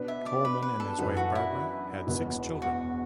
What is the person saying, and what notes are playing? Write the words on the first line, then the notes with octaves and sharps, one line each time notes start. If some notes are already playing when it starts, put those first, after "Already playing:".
Coleman and his wife Barbara had six children.
Already playing: B2 B3 D4 B4
E5
D5
B4
B4
A4
F#2 E3 D4 A4 B4
F#4
E4
E1 E2 B2 B3
F#4